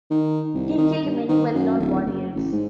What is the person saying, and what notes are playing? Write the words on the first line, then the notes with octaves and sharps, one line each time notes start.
He killed many well-known warriors.
D#3
C2
D#3
G2
D#3
F#2
D1
F#1
A1
G#2